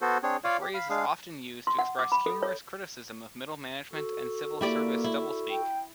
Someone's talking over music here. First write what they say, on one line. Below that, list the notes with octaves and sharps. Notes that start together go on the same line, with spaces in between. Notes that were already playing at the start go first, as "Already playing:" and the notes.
The phrase is often used to express humorous criticism of middle-management and civil-service doublespeak.
B3 F#4 A4 C5
C4 D4 G#4 C#5
F4 C#5 D5 F5
G4
F5 B5
G#3 D4 G#4 F5
C6
F#5
D6
B5
A4
C#5
F#4 A4
A#3 E4 G4 D5
E4
G5